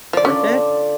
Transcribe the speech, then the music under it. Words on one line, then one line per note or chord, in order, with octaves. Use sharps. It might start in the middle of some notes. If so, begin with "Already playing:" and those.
worth it?
F3 F4 D5
D3 C#4 D5 A5